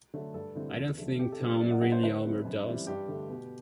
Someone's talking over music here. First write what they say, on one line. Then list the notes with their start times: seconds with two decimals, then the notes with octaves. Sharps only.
I don't think Tom really overdosed.
0.14 D3 F#3 A3
0.34 G2 A4
0.55 D3 G3 C4 E4
0.77 E2
0.98 D3 F#3 A3
1.19 C3 G4
1.32 A4
1.40 F#3 B3 D4
1.60 F#2 D5
1.71 F#5
1.81 F#3 B3 D4 F#5
1.92 C5
2.03 D3 B4
2.24 F#3 A3 C4
2.45 F#2
2.66 E3 G3 C4 E4
2.87 G2 G4
3.08 D3 A3
3.29 B2